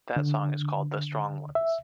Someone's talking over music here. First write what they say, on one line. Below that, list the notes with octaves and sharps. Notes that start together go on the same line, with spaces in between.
That song is called "The Strong Ones".
D3
E5